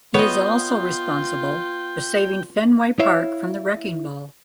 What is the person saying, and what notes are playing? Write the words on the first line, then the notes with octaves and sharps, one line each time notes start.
He is also responsible for saving Fenway Park from the wrecking ball.
B3 F4 C#5 D#5 G5
E4 C#5 E5 F5